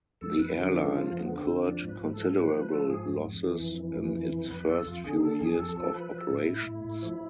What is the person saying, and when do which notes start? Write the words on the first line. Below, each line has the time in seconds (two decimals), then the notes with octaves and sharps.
The airline incurred considerable losses in its first few years of operations.
0.21 F2 A4
0.39 F2 B4
0.57 D3 B4
0.75 F3 A4
0.93 F3 F4
1.11 F2
1.17 B3
1.29 D3
1.41 C4
1.46 F2
1.64 F3 D4
1.82 G#2
1.89 B4
2.01 G#2
2.13 F3 A4
2.36 F3 B4
2.53 F3 B4
2.71 F3 A4
2.89 G#2 G#4
3.08 F2
3.26 F2
3.43 E3
3.61 F2
3.79 E3
3.97 F2
4.15 E3
4.34 F2
4.51 F2 B4
4.68 F2 A4
4.86 F2 F4
5.04 D3 G#4
5.23 D3 A4
5.41 F2 G#4
5.58 F2 A4
5.76 F3 A4
5.94 F3 B4
6.11 F3 B4
6.18 A4
6.30 A2
6.42 E4
6.48 A2
6.67 A2
6.84 A2
7.02 F3